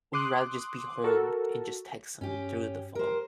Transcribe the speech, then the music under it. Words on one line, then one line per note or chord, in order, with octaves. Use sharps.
would you rather just be home and just text 'em through the phone?
C6 D6 D#6 F#6
F#4 A4 A#4
G2 C#4 G4
G4 A#4 C5